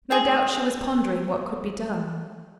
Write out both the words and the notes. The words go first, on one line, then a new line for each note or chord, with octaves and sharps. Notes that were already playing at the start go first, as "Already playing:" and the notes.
No doubt she was pondering what could be done.
C4 G#4